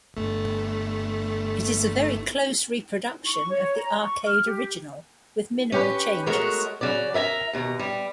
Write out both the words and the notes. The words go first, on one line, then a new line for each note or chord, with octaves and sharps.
It is a very close reproduction of the arcade original, with minimal changes.
G1 A3
C#6
C#5
A#5
C#6
F6
G4
C#4 G4 B4
G#3 A3 B3 F#4 A#4 C#5
C#3 F#3 C#4 D5
A#4 E5 G#5 A#5
D#2 B2 A#5
G3